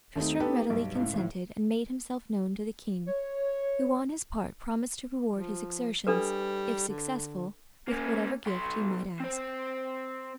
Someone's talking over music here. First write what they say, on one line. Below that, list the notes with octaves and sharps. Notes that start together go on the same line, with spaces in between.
Tristram readily consented, and made himself known to the king, who on his part promised to reward his exertions, if successful, with whatever gift he might ask.
D#2 A3 C4 D#4
B3 D#4 G4 A4 B4
B1 G2
C#2 A2
G#1 A2
C#5
F3
G3 D4 A4 B4
D3
A#3 C#4
B1 C6
C4 C5